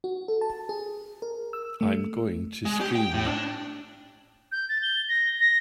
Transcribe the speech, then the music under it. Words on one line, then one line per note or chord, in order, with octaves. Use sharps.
I'm going to scream!
F#4
A4
A5
G#4
A#4
E6
A3
G#3
G4
G5
A2
D4
G6
A6
G7
A#6
A#6